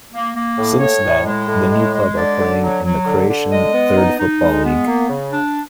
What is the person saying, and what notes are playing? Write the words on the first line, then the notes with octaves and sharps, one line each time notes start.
Since that, the new club are playing in the Croatian Third Football League.
A#3
A#3
A2
A2 C#5
A2
G#3
A2
G#3
G#3
D3 D5
D3
F#3
F#3
D3
D3
G#3 D#5
B3
D#4
D#4
G#3
B3
A#3
C#3
D4